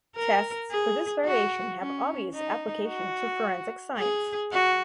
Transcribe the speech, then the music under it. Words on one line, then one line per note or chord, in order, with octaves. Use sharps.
Tests for this variation have obvious application to forensic science.
A#4
G#4
F#4
C#4
D#4
F#4
G#4
F#4